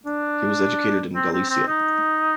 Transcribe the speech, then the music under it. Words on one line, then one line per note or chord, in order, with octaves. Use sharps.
He was educated in Galicia.
D4
C4
C4
C4
D#4